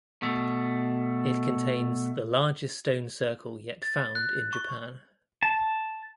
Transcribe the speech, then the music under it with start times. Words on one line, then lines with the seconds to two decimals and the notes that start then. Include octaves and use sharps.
It contains the largest stone circle yet found in Japan.
0.22 B2 A3
3.83 A6
4.15 F#6
4.53 C#6
5.43 A5